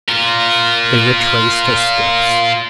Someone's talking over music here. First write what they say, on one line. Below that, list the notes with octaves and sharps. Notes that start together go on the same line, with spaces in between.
They retraced their steps.
F4 A#4